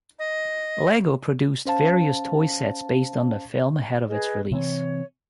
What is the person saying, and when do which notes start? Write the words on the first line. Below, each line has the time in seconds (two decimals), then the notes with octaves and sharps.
Lego produced various toy sets based on the film ahead of its release.
0.19 D#5
1.66 C#4 C5 F5 A5
4.07 G#4 B4 D#5
4.51 C3 E3 C4 C#5